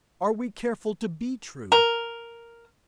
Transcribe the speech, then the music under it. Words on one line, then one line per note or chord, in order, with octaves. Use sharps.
Are we careful to be true?
A#4